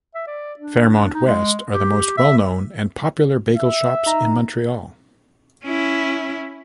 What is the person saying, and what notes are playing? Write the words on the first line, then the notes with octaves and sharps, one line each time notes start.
Fairmont West are the most well-known and popular bagel shops in Montreal.
E5
D5
D4
D#4
G#3
G4
E5
E5
D#4 A#5
C#4 E4